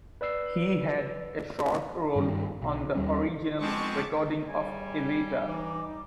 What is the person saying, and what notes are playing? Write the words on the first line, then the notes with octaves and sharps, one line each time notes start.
He had a short role on the original recording of "Evita".
B4 D5 E6 C7
G2 D#3 G3
B1
D#2 G3 C#4
F3 G#3 B3 C4 A5 C#6 D6
C#3 E3 G3 G#5
E3 D#4 D6